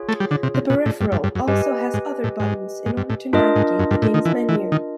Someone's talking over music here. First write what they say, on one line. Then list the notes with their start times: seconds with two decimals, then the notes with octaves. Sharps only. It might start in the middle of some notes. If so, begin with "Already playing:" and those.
The peripheral also has other buttons in order to navigate the game's menus.
Already playing: F4 G#4 C#5
0.09 A3
0.20 G3
0.31 D3
0.43 C3
0.54 C3
0.70 B2
0.86 A2
1.01 G2
1.12 G2
1.24 G2
1.35 F#2
1.47 G2 G4 B4 D#5 G#5
1.94 G#2
2.24 A2
2.40 G#2
2.86 G#2
2.97 G2
3.10 A2
3.33 G2 D4 F4 A#4 D#5
3.56 G#2
3.79 F#2
3.91 G2
4.02 A2
4.14 D#3
4.25 E3
4.49 E3
4.72 D#3